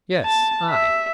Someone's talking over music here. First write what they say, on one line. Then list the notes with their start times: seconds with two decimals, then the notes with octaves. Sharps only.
"Yes, I!"
0.23 A5
0.70 E5